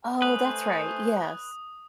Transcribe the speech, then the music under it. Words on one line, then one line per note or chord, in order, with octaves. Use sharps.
Oh, that's right. Yes.
A3 B4 C5 G#5 D#6